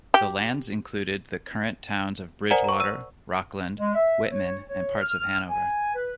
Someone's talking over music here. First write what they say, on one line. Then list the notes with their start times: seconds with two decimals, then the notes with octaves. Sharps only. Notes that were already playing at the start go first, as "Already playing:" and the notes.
The lands included the current towns of Bridgewater, Rockland, Whitman, and parts of Hanover.
0.14 G4
2.51 A#4 C5 D5 F#5 G#5 A#5
2.64 A#5 C#6
2.80 E6 D#7
3.79 G#3
3.95 E5
4.31 C#5
4.68 C#5
5.01 F6
5.49 G#5
5.95 B4